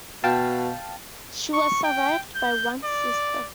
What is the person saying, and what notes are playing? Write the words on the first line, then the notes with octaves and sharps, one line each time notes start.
She was survived by one sister.
B2 F5 G5 A5
C#6
G5
G6
D5